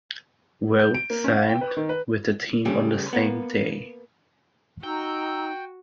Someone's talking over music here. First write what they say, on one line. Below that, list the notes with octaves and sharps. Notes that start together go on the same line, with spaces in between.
Routt signed with the team on the same day.
G6
D7
A#3
C#4
F5
G5
B4
D#3
B4
C#3 G3 A3 G4 G#4
A#3 B3
D#4 F#4 G5 A#5 E6